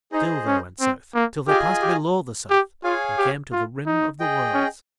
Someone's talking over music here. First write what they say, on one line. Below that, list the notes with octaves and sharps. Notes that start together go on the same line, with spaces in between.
Still they went South till they passed below the South and came to the Rim of the Worlds.
D#4 G#4 C5 D#5
C#4
C4
A#3
F4 G4 G#4 D#5 G#5
G4
G4
F4 G#4 C#5 F5 G#5
G4
F4
D#4
G#4 D#5 G5
C#4